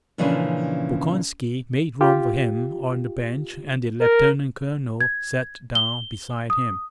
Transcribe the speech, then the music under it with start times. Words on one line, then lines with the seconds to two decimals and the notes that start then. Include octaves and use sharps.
Bolkonski made room for him on the bench and the lieutenant colonel sat down beside him.
0.18 A#2 C#3 E3 F3 C#4 D4
2.01 F4 G4
4.01 A#4
5.00 G#6
5.75 G7
6.50 D#6